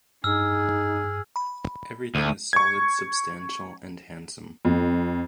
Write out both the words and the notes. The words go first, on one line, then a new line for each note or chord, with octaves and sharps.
Everything is solid, substantial, and handsome.
G2 D#4 G#4 E6 F6
B5
D2 D#7
C#6 G#6
F2